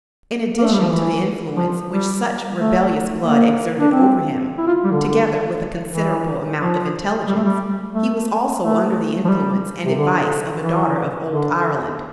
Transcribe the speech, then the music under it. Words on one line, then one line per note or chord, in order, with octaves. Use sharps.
In addition to the influence which such rebellious blood exerted over him, together with a considerable amount of intelligence, he was also under the influence and advice of a daughter of old Ireland.
A#3
A3
G3
F3
E3
F3
G3
A3
A#3
D4
C4
E4
F4
G3
D3
E3
F3
G3
A3
G3
A3
A3
F3
G3
C3
D3
E3
D3